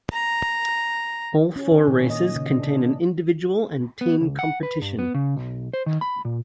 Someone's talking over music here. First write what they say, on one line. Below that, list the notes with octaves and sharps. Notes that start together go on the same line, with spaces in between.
All four races contain an individual and team competition.
A#5
C#4
D#3
A#2
D#5
C#3
D4
B3
C#2
F#5
B4
G2
B3
C#3
B1
C5
D#3
B5
A#2